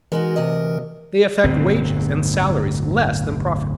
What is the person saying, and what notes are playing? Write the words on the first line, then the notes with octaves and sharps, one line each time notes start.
They affect wages and salaries less than profits.
E3 G#3 D#4 F#4 A#4
D2 C3 D#5
D1 G1 B2 C4